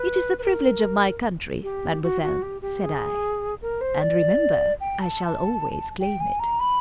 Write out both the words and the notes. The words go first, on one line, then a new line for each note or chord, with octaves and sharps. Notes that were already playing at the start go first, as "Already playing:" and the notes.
"It is the privilege of my country, Mademoiselle," said I; "and, remember, I shall always claim it."
Already playing: B4
B4
A#4
G4
F#4
F#4
G4
G4
G#4
A#4
C5
D5
G5
A5
G5
G#5
A#5
B5